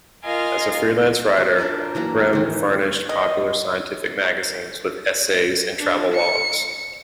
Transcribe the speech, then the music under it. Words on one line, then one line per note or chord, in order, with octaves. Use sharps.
As a freelance writer, Brehm furnished popular-scientific magazines with essays and travelogues.
F4 A#4 D#5 F5 G#5
F#3
D4 F4 A#4 D5
E3 F#3 A#3 A#5
D#3 E3
D#5
D4
C#7